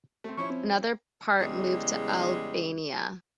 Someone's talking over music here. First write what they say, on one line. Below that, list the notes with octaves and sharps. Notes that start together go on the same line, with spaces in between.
Another part moved to Albania.
A3 C4
F3 C#4 E4 C#6
C4
E2 C#3 G3 G#3